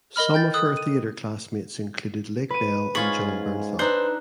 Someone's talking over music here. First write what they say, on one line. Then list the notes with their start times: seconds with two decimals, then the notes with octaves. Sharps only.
Some of her theater classmates included Lake Bell and Jon Bernthal.
0.16 A#4 D#5 B5 F6
0.34 G5 G6 A6
0.54 A4 D#6 E6 F#6
0.77 D#7
2.50 B4 D#7
2.95 G#2 C#4 F4 G#4 B5 C#6
3.79 D4 D#4 B4 C5 E5 F#6